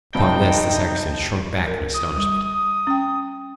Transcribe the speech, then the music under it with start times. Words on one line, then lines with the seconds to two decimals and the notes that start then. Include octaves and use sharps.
Upon this the sacristan shrunk back in astonishment.
0.15 G2 C3 G3 D#4 G5 A5
1.68 A#4
1.94 D#6
2.17 G3
2.87 C#4 G5